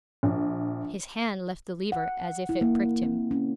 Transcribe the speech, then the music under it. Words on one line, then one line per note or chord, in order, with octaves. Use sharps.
His hand left the lever as if it pricked him.
A#1
F#5
E4
A#3
C4
C#4